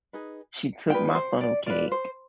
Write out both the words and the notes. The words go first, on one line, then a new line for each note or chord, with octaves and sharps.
She took my funnel cake,
D#4 G#4 B4
D4 F4 G#4 B4 G5
C5
D5
F4 B4 D5
C5